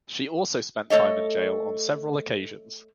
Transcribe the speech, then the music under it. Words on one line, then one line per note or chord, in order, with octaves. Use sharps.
She also spent time in jail on several occasions.
A3 A4 C#5 D#5